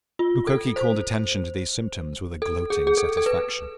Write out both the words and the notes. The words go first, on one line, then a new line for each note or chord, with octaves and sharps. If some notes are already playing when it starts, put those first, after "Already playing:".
Mukoki called attention to these symptoms with a gloating satisfaction.
F4
A4
C5
A4
G#4
G#4
A4
A4
B4